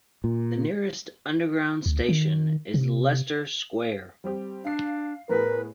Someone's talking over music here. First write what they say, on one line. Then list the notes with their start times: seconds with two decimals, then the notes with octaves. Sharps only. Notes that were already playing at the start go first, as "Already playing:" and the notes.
The nearest Underground station is Leicester Square.
0.24 A#2
1.86 D2
2.09 D#3
2.74 C3
4.24 G3 C4 G4
4.64 D4 F5 C7
5.29 A2 B3 G#4 A#4 B4